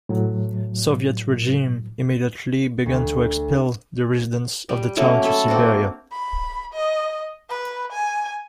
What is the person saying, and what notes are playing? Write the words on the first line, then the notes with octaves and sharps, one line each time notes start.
Soviet regime immediately began to expel the residents of the town to Siberia.
A2 F#3
D2
G3
F#3 A3 A#3 C#4
A4 B5
A#3 C4 D4 F#4
B5
D#5
B4
G#5